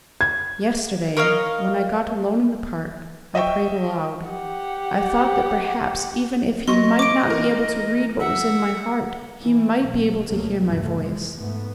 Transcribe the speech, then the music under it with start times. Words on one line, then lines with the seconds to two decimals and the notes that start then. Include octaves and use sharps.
Yesterday, when I got alone in the park, I prayed aloud: I thought that perhaps, even if he might not be able to read what was in my heart, he might be able to hear my voice.
0.21 G#6
1.17 A#4 C#5 D#5 F5
3.35 D#5 E5 G5 C#6
4.28 G4 F#5
6.68 F#3 D#5 C6 C#6
6.99 C#6 D6 D7
7.27 E3 A#4
8.20 E5 F#5
9.42 E3
9.83 B1
10.29 D2 B2 F#3 A3 A#3
10.66 F1 A#1 E2 G2 A3 B3
10.98 F3 G#3
11.35 G#2 A3 B3